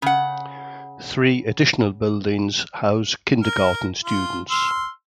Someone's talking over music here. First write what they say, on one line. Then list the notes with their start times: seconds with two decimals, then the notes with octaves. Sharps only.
Three additional buildings house kindergarten students.
0.02 C#3 F#5
3.43 A#4
4.05 F4
4.50 C6 E6 F6